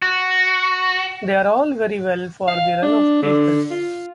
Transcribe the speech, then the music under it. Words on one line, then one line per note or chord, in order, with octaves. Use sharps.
They are all very well for the run of people.
F#4
F5
D4
D3
F4